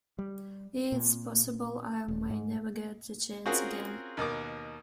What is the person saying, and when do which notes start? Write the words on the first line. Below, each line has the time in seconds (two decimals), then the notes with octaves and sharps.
It's possible I'll may never get the chance again.
0.19 G3
0.92 A#2
2.08 D#1
2.30 G#2
3.46 C4 C#4 F4 F#4 G#4 A#4
4.17 D#2 B2 A#4 D6